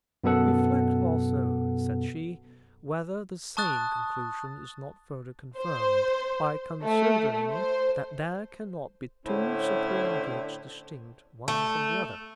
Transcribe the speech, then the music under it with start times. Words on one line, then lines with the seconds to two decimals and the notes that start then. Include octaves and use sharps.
'Reflect, also,' said she, 'whether the same conclusion is not further confirmed by considering that there cannot be two supreme goods distinct one from the other.
0.24 F#2 B2 B3 A4 F#5
3.57 A5 C#6 D#6 F#6 A6
5.59 C5
6.84 A3
7.52 C5
9.26 A2 D3 C#4 E4 C5
11.48 A3